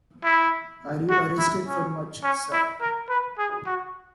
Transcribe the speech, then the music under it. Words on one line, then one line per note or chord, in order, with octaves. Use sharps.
Are you arrested for much, sir?
E4
F#4
E4
C#4
C#4
E4
A#4
B4
G#4
F#4